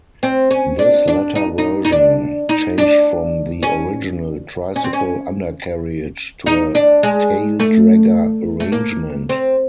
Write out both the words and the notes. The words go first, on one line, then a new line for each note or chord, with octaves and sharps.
This latter version changed from the original tricycle undercarriage to a taildragger arrangement.
C4
C#4
D4
D4
D#4
D#4
D#4
D4
D#4
D4
C#4
C#4
C4
C#4
D#4
D4
G#3
A3
A3
A#3
C4